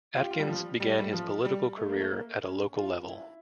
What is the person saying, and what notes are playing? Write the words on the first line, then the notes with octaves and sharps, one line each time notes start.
Atkins began his political career at a local level.
F4
G4
F4
G3
F3
G3
A3
G3
F3
G3
A3
A#3
A3
A#3
C#4
F4
E4